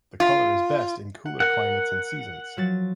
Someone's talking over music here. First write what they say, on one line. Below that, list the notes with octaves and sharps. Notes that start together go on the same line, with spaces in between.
The color is best in cooler climates and seasons.
F4
F#5
A#4 F#5
F3 F#3 A6